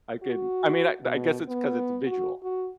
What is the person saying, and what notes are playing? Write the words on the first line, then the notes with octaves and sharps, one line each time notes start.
I could I mean, I I guess it's because it's visual,
F#4
B2
B3
F#4
F#4